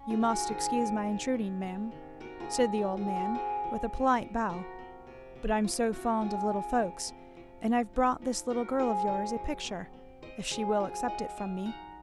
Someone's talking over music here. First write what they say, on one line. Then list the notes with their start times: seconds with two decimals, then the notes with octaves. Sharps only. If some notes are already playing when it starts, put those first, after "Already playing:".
'You must excuse my intruding, ma'am,' said the old man, with a polite bow; 'but I'm so fond of little folks, and I've brought this little girl of yours a picture, if she will accept it from me.'
Already playing: C#4
0.10 F4 G#4
0.20 D#3
0.29 F#4 A#4
0.49 D#3 G#4 C5
0.78 C3
1.06 C3
1.34 C#4
1.64 C3
1.91 D#3
2.20 C3 F#4 A#4
2.40 F4 G#4
2.49 C3
2.58 F4
2.78 C4 F#4
2.97 F4 G#4
3.07 F3
3.16 F#4 A#4
3.35 C3 G#4 C5
3.64 F3
3.93 C3
4.21 F3
4.49 F3 F#4 A#4
4.79 C4
5.07 C3
5.35 C3
5.64 C3 F4
5.92 C4 F#4
6.21 F3 F4 G#4
6.51 C3
6.79 F3
7.07 C4
7.37 F3
7.65 F3
7.93 D#4
8.22 F3
8.50 F3 F#4 A#4
8.79 F3 G#4 C5
9.07 F#3 C5 D#5
9.37 F#3
9.65 C4
9.93 C4
10.22 C4 C5 D#5
10.51 F#3 G#4 C5
10.80 F#3 F4 G#4
11.08 F4 D#5 F#5
11.37 F#3 F5 G#5
11.66 D#4 F#5 A#5